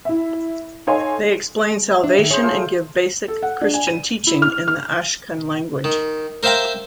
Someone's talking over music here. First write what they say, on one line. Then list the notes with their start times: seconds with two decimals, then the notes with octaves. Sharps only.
They explain salvation and give basic Christian teaching in the Ashkun language.
0.05 E4 E5
0.87 D#4 A4 C#5 F5 G#5 C6
1.91 E5
2.04 D4
2.19 D#3
2.31 G#4 C5 C#5
2.43 A3 F4
3.28 A4
3.43 F#5
3.61 D4
3.74 G#5
3.87 D#7
4.27 E4
4.42 F6
4.68 F6
5.84 D#3
6.43 A#4 C5 E5 F5 G5 A#5